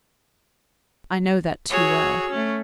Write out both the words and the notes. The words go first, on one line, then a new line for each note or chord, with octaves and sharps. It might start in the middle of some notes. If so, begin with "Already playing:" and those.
I know that too well.
F#4 G#4 C#5 E6
A3 C#4